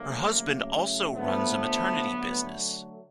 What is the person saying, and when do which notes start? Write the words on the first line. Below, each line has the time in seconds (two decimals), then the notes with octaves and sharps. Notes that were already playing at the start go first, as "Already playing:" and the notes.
Her husband also runs a maternity business.
Already playing: D3 F#3 A3 A#3
0.29 C#3 F#3 A3
1.16 D3 F3 A3 B3
2.05 D3 F#3 A3